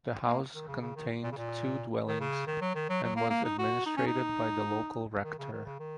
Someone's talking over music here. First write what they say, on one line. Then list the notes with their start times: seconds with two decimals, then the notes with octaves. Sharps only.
The house contained two dwellings and was administrated by the local rector.
0.26 A#3
0.55 D#3
0.68 C#3
0.82 C#3
0.96 D#3
1.23 A#2
1.32 C#3
1.37 A#2
2.07 D#3
2.20 C#3
2.47 D#3
2.61 F#3
2.75 D#3
2.89 F#3
3.03 F#3
3.16 A#3
3.30 A#3
3.44 D#4
3.59 F#4
3.86 D#4
3.97 C#4
4.07 D#4
5.24 D#3
5.39 C#3
5.52 D#3
5.65 C#3
5.80 D#3